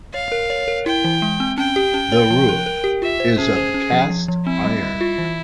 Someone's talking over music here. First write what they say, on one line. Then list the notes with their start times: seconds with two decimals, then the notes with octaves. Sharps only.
The roof is of cast iron.
0.14 C#5 F5
0.32 A#4
0.50 C#5
0.68 A#4
0.86 E4 G5
1.04 E3
1.22 G#3
1.40 C4
1.58 C#4 G5
1.76 G4
1.94 C#4
2.12 C#5
2.30 F3
2.49 A#4
2.66 A#4
2.84 G4
3.02 F4 E5
3.20 C5
3.38 C#4 G#4
3.56 C5
3.74 C#4
3.92 F3
4.10 F3
4.28 F3
4.46 C4 E4
4.65 G3
4.83 G3
5.01 F4
5.18 E3